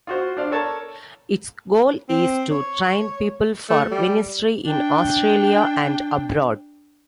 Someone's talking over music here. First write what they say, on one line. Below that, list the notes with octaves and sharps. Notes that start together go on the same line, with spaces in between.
Its goal is to train people for ministry in Australia and abroad.
F4 F#4 C5
D4 C5 D5 F5
A4 A#4 C#5 D5 A5
C4
C#5
A3
G3
D4 G5